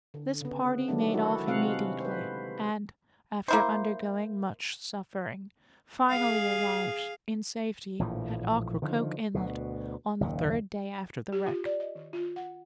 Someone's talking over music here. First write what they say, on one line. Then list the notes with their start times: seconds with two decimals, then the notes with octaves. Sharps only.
This party made off immediately, and, after undergoing much suffering, finally arrived, in safety, at Ocracoke Inlet, on the third day after the wreck.
0.14 D3
0.41 C#3 B3
0.88 D#3 F#3 G#3 A3 D4
1.13 E4 F#4 A4
1.47 C3 G#3 C4 F#4 F5 F#5
2.00 B4 C5
3.48 A#3 E4 C5
6.10 G#4 F5
7.99 A#1 A2 E3 F3
8.82 D3 D#3 F3
9.34 D2 B2
10.21 F#1 D#2 A#2
11.32 G4
11.46 F4
11.66 D5
11.80 D#5
11.95 D#3
12.13 F4
12.36 F#5